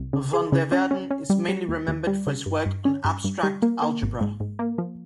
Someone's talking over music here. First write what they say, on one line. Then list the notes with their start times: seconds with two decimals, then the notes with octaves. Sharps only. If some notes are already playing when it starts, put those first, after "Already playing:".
Van der Waerden is mainly remembered for his work on abstract algebra.
Already playing: C2
0.13 C#3
0.33 G#4
0.52 C#3
0.72 C#4
0.91 C#4
1.11 C#4
1.30 G3
1.49 G3
1.68 D#2
1.88 D#2
2.07 G3
2.27 C#3
2.46 G2
2.66 G2
2.85 C#4
3.05 G2
3.24 G2
3.43 G3
3.62 A#3
3.82 A#3
4.02 G#1
4.21 G#2
4.40 G#2
4.59 A#3
4.78 F3